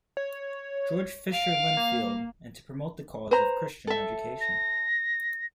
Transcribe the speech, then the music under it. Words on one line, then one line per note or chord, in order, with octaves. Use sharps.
George Fisher Linfield, and to promote the cause of Christian education.
C#5
F5 D7
A#3
B4 C5 A#5
A4 E5
A#6